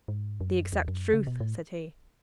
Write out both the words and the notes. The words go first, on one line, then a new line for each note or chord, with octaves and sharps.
'The exact truth!' said he.
G#2
F#2
E2
F#2
C#3
B2
A2